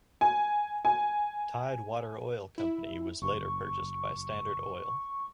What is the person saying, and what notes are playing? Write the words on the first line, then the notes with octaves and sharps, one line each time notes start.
Tide Water Oil Company was later purchased by Standard Oil.
G#5
G#5
E4
F#1 C#6